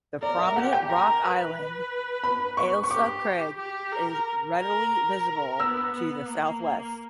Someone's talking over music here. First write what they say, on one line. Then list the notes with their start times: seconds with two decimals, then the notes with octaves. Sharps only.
The prominent rock island Ailsa Craig is readily visible to the southwest.
0.22 A#4 D5
0.39 E5
0.56 G4 F#5
0.73 G5
0.89 A#4 A#5
1.23 B4
2.24 B5
2.57 C#6
2.84 C#6
2.90 G4 D6
3.58 G4
3.92 A#4
4.59 A#4
4.92 A#4
5.59 B3 E6
5.93 B3
6.27 A#3